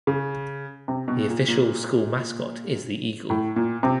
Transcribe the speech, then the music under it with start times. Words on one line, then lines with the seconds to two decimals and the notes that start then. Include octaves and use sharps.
The official school mascot is the Eagle.
0.07 C#3
0.88 C3
1.08 B2
1.28 A#2
1.48 A#2
3.30 A2
3.56 A#2
3.83 C3